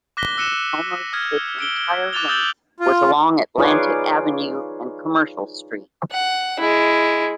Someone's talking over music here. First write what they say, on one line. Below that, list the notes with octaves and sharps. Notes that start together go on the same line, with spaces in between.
Almost its entire length was along Atlantic Avenue and Commercial Street.
D6 F#6 A#6 B6 G7
E6 F#6 C#7 D#7 E7
D#6 F6 G#6
E6 D7 G7
D6 F#6 A6 F7 G7
D#6 E6 G6 A6 F#7 G7
F4
D#4 F4 G#4 B4 C#5 D5
F#5
G#3 E4